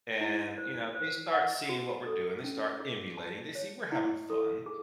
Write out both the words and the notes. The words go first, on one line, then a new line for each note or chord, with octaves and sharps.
and, you know, they start seeing what we're doing. They start emulating. They see we're having fun,
E4
C5
C5
F#5
F#4
A4
C#4
G#4
A5
C#5
E4
A4
G#4